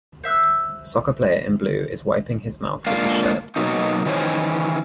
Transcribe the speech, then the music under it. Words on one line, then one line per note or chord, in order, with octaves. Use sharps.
Soccer player in blue is wiping his mouth with his shirt.
C5 E5 E6 F#6
G#3 A#3 D4 F4 F5
B2 F#3 A#3 D#4
D#3 E3 C#4 C5 C#5